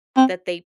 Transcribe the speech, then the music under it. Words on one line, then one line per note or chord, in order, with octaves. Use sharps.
that they
C4